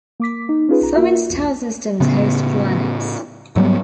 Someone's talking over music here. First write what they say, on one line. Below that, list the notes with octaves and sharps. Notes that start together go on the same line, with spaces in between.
Seven star systems host planets.
A#3 D6 B6
D#4
C#4 D#4 F4 G#4 B4
B1 A#5
A#3 D#4 F4 F#4 A#4 E5
B1 E2
A2 C#3 B3
G#2 F#3 G3 B3